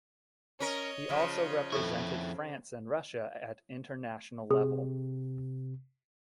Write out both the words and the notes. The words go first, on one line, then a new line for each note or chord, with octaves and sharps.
He also represented France and Russia at international level.
C#4 A#4 C#5 D#5
C#3 F3
F2 E4 A4 C#6
C3 G#4